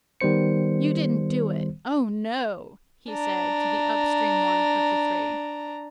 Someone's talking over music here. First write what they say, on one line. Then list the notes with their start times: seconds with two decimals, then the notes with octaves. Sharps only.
"YOU didn't do it--oh no!" he said to the up-stream one of the three.
0.21 D#3 G3 B3 C5 C#7
3.10 D4 A#5